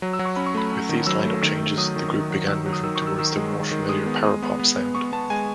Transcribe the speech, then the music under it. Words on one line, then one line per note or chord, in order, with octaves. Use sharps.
With these lineup changes, the group began moving towards their more-familiar power pop sound.
F#3
E6
F#3
C#6
C#4 B5
C#6
A3 B5
C#4
D#3
F#3 E6
A3
D#3
A3
F#3 D#6
D#3
D#3
F#3
D#3 E6
F#3
D#6
D#3 E6
C#6
D#3
E6
D#3 E6
G#3
D#3
D#3
G#3 D#6
B3
G#3 D#6
B3
B3
B3
B3 C#6
B3 A5
G#3 G#5